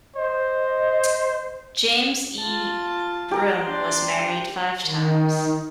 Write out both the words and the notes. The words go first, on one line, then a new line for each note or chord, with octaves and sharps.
James E. Broome was married five times.
C5 D#5
F4 A5
G4 A#4 A#5
D4 C6
D#3